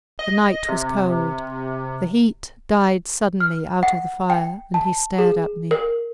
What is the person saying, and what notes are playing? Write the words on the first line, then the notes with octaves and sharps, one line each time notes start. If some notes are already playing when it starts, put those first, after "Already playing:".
The night was cold; the heat died suddenly out of the fire, and he stared at me.
D#5
C3
F6
F#5
G5
A5
G#4
A#4